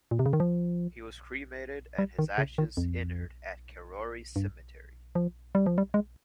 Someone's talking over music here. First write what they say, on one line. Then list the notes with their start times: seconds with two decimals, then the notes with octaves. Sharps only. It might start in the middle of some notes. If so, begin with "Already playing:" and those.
He was cremated and his ashes inurned at Karori Cemetery.
0.11 A#2
0.19 C3
0.26 C#3
0.33 D#3
0.40 F3
1.98 G3
2.19 D#3
2.38 C#3
2.58 D#3
2.77 F2
4.36 G2
5.15 F3
5.55 G3
5.66 F3
5.78 G3
5.94 G#3